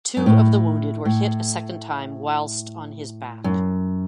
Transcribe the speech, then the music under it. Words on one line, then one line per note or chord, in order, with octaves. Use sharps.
Two of the wounded were hit a second time whilst on his back.
F#2
A2
A2
F#2